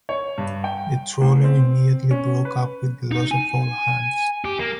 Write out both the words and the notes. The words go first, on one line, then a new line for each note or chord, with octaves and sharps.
The trawler immediately broke up with the loss of all hands.
C#5
G2
G5
A1
C4
C#4
B4
D#4
G#5
G4
A#3